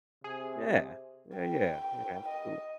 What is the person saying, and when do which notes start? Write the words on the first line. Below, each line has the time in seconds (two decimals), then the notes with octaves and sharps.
Yeah. Yeah, yeah. Yeah. Absolute
0.24 C3 G#4
1.37 G5
2.28 D#5